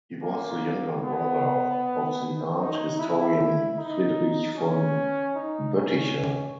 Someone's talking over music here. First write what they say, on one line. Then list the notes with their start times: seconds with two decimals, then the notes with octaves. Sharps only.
He was the younger brother of the art historian Friedrich von Boetticher.
0.23 A#3
1.02 B3
2.60 D#4
2.99 E4
3.78 D#4
4.57 C#4
5.35 D#4
5.75 C#4